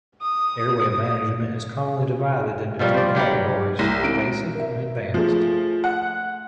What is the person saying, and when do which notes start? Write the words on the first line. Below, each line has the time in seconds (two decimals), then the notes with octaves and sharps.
Airway management is commonly divided into two categories: basic and advanced.
0.22 D#6
2.79 B2 F3 G3 A#4
2.94 C5 D5
3.15 F#3 G4 B4 F#5
3.79 C2 A#6
4.04 G#1 D7
4.55 A#4 E5
5.14 F3 A3 G#4
5.84 F#5